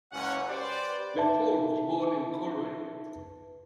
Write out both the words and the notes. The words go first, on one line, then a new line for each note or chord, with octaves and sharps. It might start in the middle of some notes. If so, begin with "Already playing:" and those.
McFaul was born in Coleraine.
F#1 C#2 C#4 F#5
G4 B4 C5 D5
D#4 B4 E5 A5